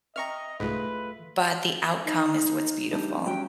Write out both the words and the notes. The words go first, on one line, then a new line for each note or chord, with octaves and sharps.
but the outcome is what's beautiful.
D#5 E5 G5 A#5 C#6 F6
C2 G#2 A3 F4 G#4 B4 E5
D#4
G3 D4 D#4
F#3 G3 C#4 G5